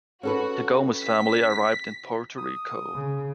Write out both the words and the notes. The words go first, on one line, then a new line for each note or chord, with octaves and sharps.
The Gomez family arrived in Puerto Rico.
C#4 F#4 A4 B4
B6
D#6
C#3